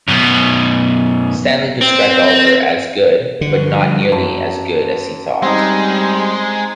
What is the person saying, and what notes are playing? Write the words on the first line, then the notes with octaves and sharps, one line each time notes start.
Stanley described Oliver, as 'good, but not nearly as good as he thought'.
F#2 B2
C4
D3 F3 G3 F#4
F#2 A5
G3 G#3 C4 D#4